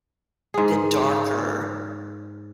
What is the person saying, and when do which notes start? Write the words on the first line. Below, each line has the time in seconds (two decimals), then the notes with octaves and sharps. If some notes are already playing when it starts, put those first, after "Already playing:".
the darker,
0.54 G#2 G#4